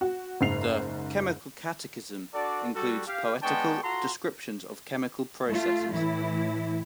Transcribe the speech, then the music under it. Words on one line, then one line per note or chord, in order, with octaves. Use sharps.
The "Chemical Catechism" includes poetical descriptions of chemical processes.
F#4
F#1 G#2 C7 F7
D4 F#4 A4 D5
G3 F#4 A4
G4 F5
G#3 B3 D4 G5 A5 C#6
F4 F#4 A4 A#5 C6
A3 F4
A2 E3 E4